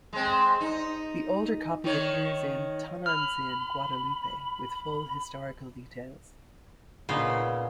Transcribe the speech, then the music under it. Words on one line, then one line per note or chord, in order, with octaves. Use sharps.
The older copy appears in "Tonanzin Guadalupe" with full historical details.
G#3 C4
D#4
D#3 C#5
B5 F6
A#2 C#3 B3 D#4 C5